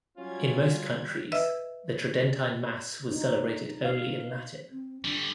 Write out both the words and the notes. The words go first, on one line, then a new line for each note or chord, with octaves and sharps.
In most countries, the Tridentine Mass was celebrated only in Latin.
F#3 G3 C#4 F4 G#6
B4 D#5 E5 E6
D#4
F5
C4
D3 G3 D4